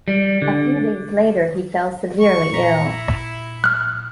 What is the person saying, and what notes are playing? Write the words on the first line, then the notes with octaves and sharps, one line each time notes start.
A few days later he fell severely ill.
G3
D3
C#6
A#2 A#5 B6 C#7
E4
F6 F#6